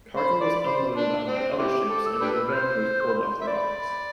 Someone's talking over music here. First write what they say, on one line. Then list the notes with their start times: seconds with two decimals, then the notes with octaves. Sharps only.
Cargo was unloaded onto other ships, and "Revenge" was pulled off the rocks.
0.16 C5 B5
0.41 D5
0.63 C5
0.96 D4
1.27 C4
1.52 C6
1.59 C4 E4 G4 D6
1.90 A4
2.06 E6
2.21 D4 G4 B4
2.49 F6
2.53 C5 G6
3.00 C6
3.10 B5
3.20 C6
3.41 E5
3.47 D5 B5